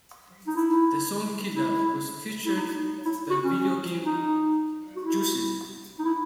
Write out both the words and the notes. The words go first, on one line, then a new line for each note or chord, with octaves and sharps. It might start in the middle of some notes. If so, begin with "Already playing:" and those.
The song "Killa" was featured the video game "Juiced".
D#4
E4
E4
E4
D#4
E4
F#4
C#4
D#4
F#4
E4
D#4
E4